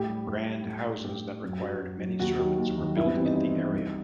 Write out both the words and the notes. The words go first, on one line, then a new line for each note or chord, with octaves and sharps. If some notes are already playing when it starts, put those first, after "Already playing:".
Grand houses that required many servants were built in the area.
Already playing: A2 G4
G3
A2
G3
A2
G3
A2 G4
G3
F#2
F#3
F#2
F#3
D#2 F#4
D#3 F#3
D#2
D#3 F#3
G2 E4
B3
E3 G3 C4
D#4
G2 D#4
E3 G3
C2